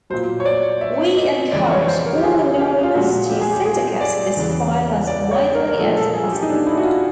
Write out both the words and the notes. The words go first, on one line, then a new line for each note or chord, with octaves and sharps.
We encourage all Anonymous to syndicate this file as widely as possible.
A#2 F#3 C5
C#5
D5
E5
D#5
F2 C#3 E3 G#3 D5
C#5
C#5
C5
A#4
G4
G#4
G4
F4
A#2 F3 G#3 F#4
G4
G#4
G4
G#4
D5
E2 C#3 E3
D5
C#5
A#4
A#4
A#2 F3 G#3 A4
A4
G#4
G4
D#4
D4
E4
F#4
F4